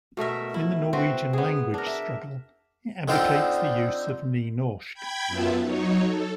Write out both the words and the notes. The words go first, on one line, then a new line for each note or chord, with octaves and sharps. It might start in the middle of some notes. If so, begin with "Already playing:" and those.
In the Norwegian language struggle, it advocates the use of Nynorsk.
B2 A3 A#4 E5
E4
C4 F#4 B4
B3 G#4
D4 A#4
E5
D3 C4 D4 D#4 F4 C5
G5 B5 G#6
F#2 B3 F4 E5 A5
F#3 D#4 C#5
A4